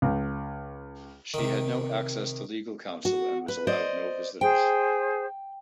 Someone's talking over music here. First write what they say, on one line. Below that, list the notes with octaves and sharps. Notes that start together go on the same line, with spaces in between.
She had no access to legal counsel and was allowed no visitors.
C#2
C3 D#3
F#4
B4
C5 D5 D#5
G#4 C5 G5